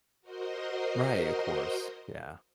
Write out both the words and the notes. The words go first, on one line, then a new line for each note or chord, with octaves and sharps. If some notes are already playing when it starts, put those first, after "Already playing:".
Right, of course, yeah,
F#4 A#4 C5 D#5 C6